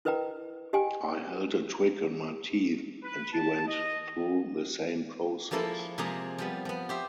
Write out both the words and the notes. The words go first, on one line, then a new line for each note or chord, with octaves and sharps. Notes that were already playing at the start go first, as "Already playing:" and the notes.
I held a twig in my teeth, and he went through the same process.
E4 A#4 B4 D#5 G5 A#5
G4 D#5 G5 G#5
B4
A5
D#5
F3 G#3 A#3 E4 A4
C3 F3 G#3 A#3 G#4 A#5
F3 G3 B3
F3 B3
G4 C5 E5